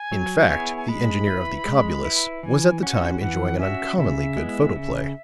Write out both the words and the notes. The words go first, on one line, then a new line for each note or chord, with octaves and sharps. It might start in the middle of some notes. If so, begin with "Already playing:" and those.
In fact, the engineer of the Cobulus was at the time enjoying an uncommonly good photoplay.
Already playing: G#5
F#3
B3 E4 G#4 C#5
G#5
G#3 B5
E4 B4
G#3
E4 B4
E3 G#5
C#4 F#4 F#5
E3 F#5
C#4 F#4 E5
C#3 E5
G#3 B3 E4
C#3